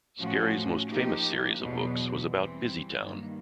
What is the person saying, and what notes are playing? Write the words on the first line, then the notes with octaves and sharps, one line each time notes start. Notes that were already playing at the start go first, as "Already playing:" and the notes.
Scarry's most famous series of books was about Busytown.
A2 F3 A3 C#4 F#4
F3 A#3 D#4 G4
E2 B2 F#3 B3
E3 G3 C4
G2 D#3 F#3 A#3